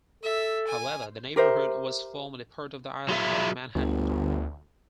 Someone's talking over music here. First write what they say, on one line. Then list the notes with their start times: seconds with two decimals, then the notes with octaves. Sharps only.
However, the neighborhood was formerly part of the island of Manhattan.
0.23 A4 E5
0.67 G#5
1.36 G4 A#4 C5 E5
3.09 F#3 E4 F4 G#4 E5
3.75 G1 D2